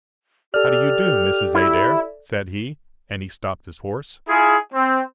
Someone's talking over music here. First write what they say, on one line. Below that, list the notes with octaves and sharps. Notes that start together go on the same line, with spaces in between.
"How do you do, Mrs. Adair?" said he, and he stopped his horse.
G4 A4 D5 F6
E4
E4 F4 G#4
C4